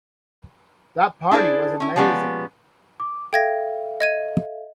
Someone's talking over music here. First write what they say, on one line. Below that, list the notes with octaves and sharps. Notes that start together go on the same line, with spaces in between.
That party was amazing.
D4 E4 G#4 C5 D5
C#4 E4
F3 G#3 B3 C#4 G4 D5
D6
A4 E5 F5 G5 G#6 A#6
D#5 G#6 D#7